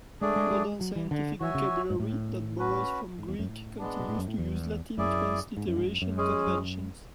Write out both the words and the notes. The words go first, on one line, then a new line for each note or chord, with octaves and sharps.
Modern scientific vocabulary that borrows from Greek continues to use Latin transliteration conventions.
G#3 A3 D4 G#4 D5
G#3
G#3
F#3
E3
D3
E3 F#4 C#5 E5 G#5
C#3
G#2
A2
C#4 F#4 B4
G#2
E2
F#2
A2
G#3 B3 D4
B2
A2
F#2
A2
E2
F#2 E4 G#4 D5
G#2
F#2
G#2
F#2
F#2
G#3 C#4 G#4
F#2